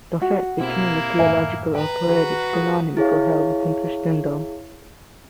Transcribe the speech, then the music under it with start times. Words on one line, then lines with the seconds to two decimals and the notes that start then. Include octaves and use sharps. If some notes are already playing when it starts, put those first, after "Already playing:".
Tophet became a theological or poetic synonym for hell within Christendom.
0.22 F#4
0.59 B2 A#3 C4 E4 G4
1.19 F#2 A2 D#3 E5 G#5
1.75 B4 G5 A#5
2.07 D#3 F#4 G#4
2.53 F4 G#4 A#4
2.97 E4 G#4 C#5 F5